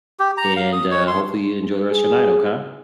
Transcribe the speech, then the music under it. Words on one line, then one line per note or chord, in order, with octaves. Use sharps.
and, uh, hopefully you enjoy the rest of your night, okay?
G4
A#5
F5
D#6
C#5
C6
G#4